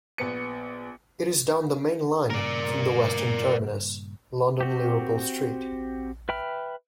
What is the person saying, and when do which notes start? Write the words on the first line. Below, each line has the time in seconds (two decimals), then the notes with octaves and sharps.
It is down the main line from the western terminus, London Liverpool Street.
0.18 A#1 B3 C#7
2.30 G2 A#2 C#3 A#4 D5
4.61 C4 F#4 G4
6.29 B4 E5 G5 B5 F6